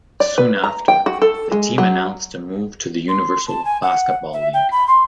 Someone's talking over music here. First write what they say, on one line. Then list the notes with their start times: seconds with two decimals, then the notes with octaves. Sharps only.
Soon after, the team announced a move to the Universal Basketball League.
0.20 D5
0.38 B4
0.64 A#5
0.88 G5
1.06 F#4
1.22 A4
1.52 G#3
1.78 F#3
3.08 C6
3.48 A5
3.65 G#5
3.82 F#5
4.33 E5
4.53 G5
4.72 B5
4.88 C6